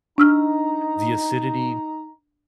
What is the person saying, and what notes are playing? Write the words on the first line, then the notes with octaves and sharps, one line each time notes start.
the acidity
D4 D#4 A#5 E6 F6